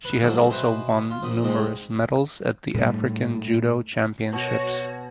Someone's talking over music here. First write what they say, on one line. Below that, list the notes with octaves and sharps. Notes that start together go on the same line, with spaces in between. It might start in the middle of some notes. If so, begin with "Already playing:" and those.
She has also won numerous medals at the African Judo Championships.
B4
F2 G#2 F3 F#3
B2 B4 C5 E5 G#5
F4
A#1 B5 D#6
G#2 C3 G#3
A2 G3
B2 F#4 C#5